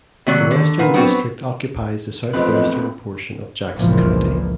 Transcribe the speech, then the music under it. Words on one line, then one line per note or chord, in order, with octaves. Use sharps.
The Western District occupies the southwestern portion of Jackson County.
D#2 C3 F#3 A#3 D5
D3
A#2 B4 F#5
F#3 B3 C4 D4 F#4
E2 F3 A3 C4 B4 D#5
G1 C#2 A#2 E3 F3